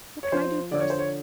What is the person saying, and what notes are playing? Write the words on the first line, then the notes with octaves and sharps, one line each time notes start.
What can I do first?
C#5
F3 C5
D3 D5
C#5
C5
C#5